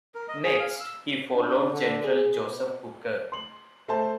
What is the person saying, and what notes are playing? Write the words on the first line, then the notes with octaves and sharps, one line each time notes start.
Next, he followed General Joseph Hooker.
A#4
D#5
G#4
F5
E6
D4
D3
G#4
B2
C6 F#7
A3 C5 A5